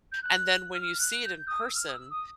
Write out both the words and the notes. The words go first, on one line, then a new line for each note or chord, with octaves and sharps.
And then when you see it in person,
G6
F#6
F6
F#6
G6
D#6
E6
F6
D#6
E6
D#6